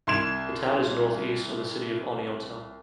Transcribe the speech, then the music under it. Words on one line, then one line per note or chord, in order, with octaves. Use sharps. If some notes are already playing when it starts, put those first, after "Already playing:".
The town is northeast of the City of Oneonta.
C2 C6 G#6 E7